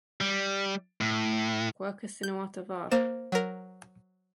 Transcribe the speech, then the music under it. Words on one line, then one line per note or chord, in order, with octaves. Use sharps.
Quercus sinuata var.
G3
A2
G6
A#3 C5 E7
F#3 A#4